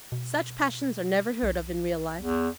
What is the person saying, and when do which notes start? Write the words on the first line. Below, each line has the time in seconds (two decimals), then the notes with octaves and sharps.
Such passions are never heard of in real life.
0.12 B2
1.43 B1
2.21 E2